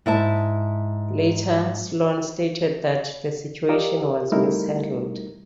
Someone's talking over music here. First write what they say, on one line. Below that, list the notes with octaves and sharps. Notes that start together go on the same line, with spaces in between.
Later, Sloan stated that the situation was "mishandled".
G#2 E4 E5 A5
F4 G4 A#4 D5 D#5
G3 A3 D#4 E4 A#4